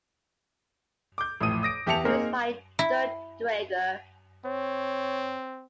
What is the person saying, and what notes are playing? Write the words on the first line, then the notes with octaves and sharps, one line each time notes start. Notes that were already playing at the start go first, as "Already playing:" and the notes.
Produced by Dirk Draeger.
D6 G6
A1 F2 A2 D#6 D#7
D#6 A#6 D7
E2 G4 E5 A5 C#7 F7
A#3 C4 D#4 G#4 A#4
E4
C4 C#5